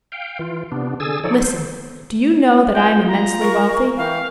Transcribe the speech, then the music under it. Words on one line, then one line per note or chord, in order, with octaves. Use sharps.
Listen, do you know that I am immensely wealthy?
F5 G5
E3 F4
C3 B3 D4
D3 G#4 G#5 E6 A6
F3 D#4 A4 C#5 D5
C5
F4 G5
A#5
A#4 C#6
E3 F5 G5